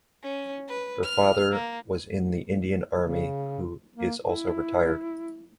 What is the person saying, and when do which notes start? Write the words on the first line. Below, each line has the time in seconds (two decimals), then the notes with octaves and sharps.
Her father was in the Indian Army who is also retired.
0.23 C#4
0.69 B4
1.03 F6
1.52 A#3
3.00 C#3
3.96 A#3
4.22 E4